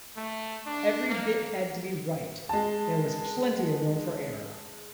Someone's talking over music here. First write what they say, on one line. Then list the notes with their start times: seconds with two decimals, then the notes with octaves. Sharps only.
Every bit had to be right; there was plenty of room for error.
0.17 A3
0.66 D4
1.09 A#3
2.49 G#3 A5